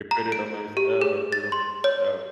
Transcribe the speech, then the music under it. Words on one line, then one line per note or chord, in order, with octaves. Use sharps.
put it on myself, I put it on myself.
A#5
D7
G4
G#4
A6
C6
C#5